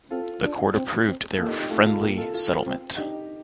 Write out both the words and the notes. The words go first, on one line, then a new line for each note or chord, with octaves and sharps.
The Court approved their "friendly settlement".
C4 F4 A4
D4
C4
C4
A#3 F4 A4
D#4 G4
D#4 G4
A3 F4 A4
F4 A4
A#3 G4 A#4
F4 A4
F4 A4
C4
D4 D#4 G4